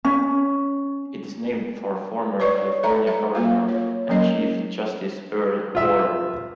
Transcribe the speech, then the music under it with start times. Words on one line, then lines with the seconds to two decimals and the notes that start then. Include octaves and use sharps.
It is named for former California Governor and Chief Justice Earl Warren.
0.05 C#4
2.40 B4 C#5 D5 C#6
2.83 A4 E5 A#5
3.07 E5
3.35 A#3 F4 F5
3.69 C#5
4.09 F#3 A#3 C#4 A#4 D#5
5.75 F4 E5